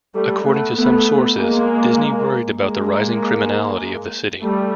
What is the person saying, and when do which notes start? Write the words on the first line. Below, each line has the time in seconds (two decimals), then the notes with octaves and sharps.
According to some sources, Disney worried about the rising criminality of the city.
0.14 G3 A3
0.45 A3 B3
0.76 A3 B3
1.37 G#3 A#3
2.60 G#3 A#3
4.43 G3 A3